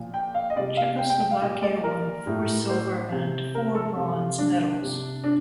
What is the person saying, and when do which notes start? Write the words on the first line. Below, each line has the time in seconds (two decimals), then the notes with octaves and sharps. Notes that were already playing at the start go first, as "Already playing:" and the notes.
Czechoslovakia won four silver and four bronze medals.
Already playing: A#2 F3
0.14 G5
0.35 F5
0.50 D#5
0.56 C3 G3 D5
0.77 F5
0.98 G5
1.10 G5
1.20 G5
1.31 F5
1.42 A#2 G3 D#5
1.63 D5
1.84 A#4
2.26 A2 G3
2.70 C5
3.12 C3 G3
3.55 A#4
3.75 A4
3.96 C3 G3
4.18 F4
4.38 D4
4.81 C3 G3
5.24 D4